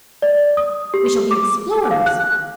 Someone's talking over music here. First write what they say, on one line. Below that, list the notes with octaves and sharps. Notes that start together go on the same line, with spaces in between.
We shall be explorers.
D5
D#6
G4
D6
F5
F#6